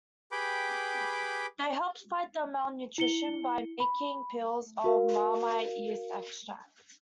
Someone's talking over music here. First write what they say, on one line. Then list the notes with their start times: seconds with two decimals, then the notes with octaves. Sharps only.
They helped fight the malnutrition by making pills of Marmite yeast extract.
0.32 G4 G#4 B4 G5 B5 D6
2.98 E4 C#7 G7
3.80 B5
4.84 F#4 A#4 F5